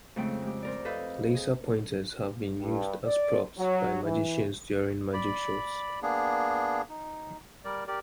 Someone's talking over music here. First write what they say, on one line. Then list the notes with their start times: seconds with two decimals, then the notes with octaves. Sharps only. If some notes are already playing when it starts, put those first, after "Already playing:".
Laser pointers have been used as props by magicians during magic shows.
0.16 F2 C#3 G#3 A3 C4 G5
0.42 G#3 G4
0.63 C4 A#4 D5
0.85 A4 B4 D#5 F5 G6
1.35 G#4
2.61 G2
3.05 D5
3.59 F#3
4.04 E3
5.13 D5 B5
6.02 A#3 B3 D4 G#4
6.89 D#4
7.65 G3 A#4 D5
7.87 G4 A#4 D5